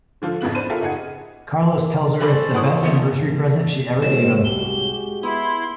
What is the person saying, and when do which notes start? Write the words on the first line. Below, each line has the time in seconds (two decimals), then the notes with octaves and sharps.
Carlos tells her it's the best anniversary present she ever gave him.
0.22 D3 F3 F4 A4
0.41 A1 F2 C#3 B3 F#7
0.55 B3 D4 C5 A5 B5 D#7
0.70 F4 G4 A4 A#4 E5
0.81 F#1 D#4 G#4 F#5 G#6
2.21 G3 C#4 A4 C5 D5
2.54 B3 E4 G#4 C#5
2.83 A#1 B3
4.02 B2 E3 G#3 F#4 C5 C#5 E7
4.45 C2 G#3 F#4 G4 G7
5.23 B3 E4 C6